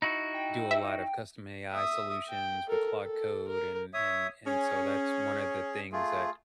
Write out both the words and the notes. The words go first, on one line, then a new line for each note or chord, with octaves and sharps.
do a lot of custom AI solutions with Claude Code and and and so that's one of the things that,
D#4 E4 F#4
G5
E5
E5 D#6
G5
A4 A#4
A4
A#4
C#5 E5 D#6
C#4 G#4
A3 F4 G#4